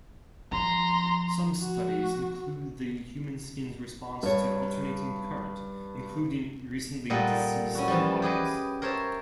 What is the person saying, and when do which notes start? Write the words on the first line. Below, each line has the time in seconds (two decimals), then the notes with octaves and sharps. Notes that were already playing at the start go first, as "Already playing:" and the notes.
Some studies include the human skin's response to alternating current, including recently deceased bodies.
0.52 F3 A#5 C6
1.60 F#4
4.23 G2 G3 C#5
7.10 A#2 G3 A#3 A4 D#5 F#5
7.75 C#4 E4 F#4
7.88 E3 F3 G3
8.22 G4 G#4 B4 D#5
8.82 A#4 C5 C#5 E5 A5